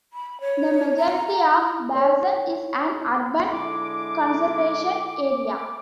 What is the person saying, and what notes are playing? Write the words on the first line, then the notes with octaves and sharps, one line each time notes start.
The majority of Balzan is an Urban Conservation Area.
B5
C#5
A#5
A#5
E4
C#5
D3 G#3 E4 D6